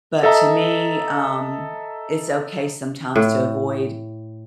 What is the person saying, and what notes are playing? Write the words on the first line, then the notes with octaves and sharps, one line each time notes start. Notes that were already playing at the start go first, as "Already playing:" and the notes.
but to me, um, it's okay sometimes to avoid
A4 D#5 E5 A#5
A2